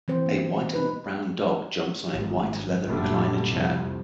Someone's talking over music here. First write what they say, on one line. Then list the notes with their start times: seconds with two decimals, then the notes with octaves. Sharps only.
A white and brown dog jumps on a white leather recliner chair.
0.08 E3 C4 C5
0.26 A#3
0.74 D#4 B4
2.12 G#1
2.86 F#1 A#2 D3 G3 A3
3.46 C2 F2